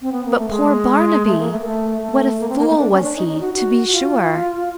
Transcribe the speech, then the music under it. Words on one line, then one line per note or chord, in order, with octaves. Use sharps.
But, poor Barnaby! what a fool was he, to be sure!
C4
B3
A#3
A3
G#3
A3
A#3
A3
A#3
A3
A3
A#3
C4
A#3
A3
D4
C#4
D4
D#4
D#4
F#4
F#4
F4